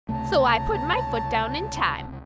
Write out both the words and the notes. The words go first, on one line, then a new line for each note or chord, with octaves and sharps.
So I put my foot down in time.
C#2 C3 A3 C#5 A5 A#5